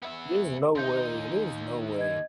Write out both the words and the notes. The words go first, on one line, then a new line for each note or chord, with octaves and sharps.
There's no way, there's no way.
B3 E5
D#2 D#4 C6 G6
D#5 G#6